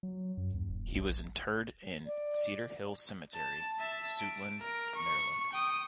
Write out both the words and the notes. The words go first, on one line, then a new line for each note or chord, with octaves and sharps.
He was interred in Cedar Hill Cemetery, Suitland, Maryland.
F#3
F#2
D#2
D#1
A#1
D5
A5
E5 A5
D7
A#4
C#6
G5 D#6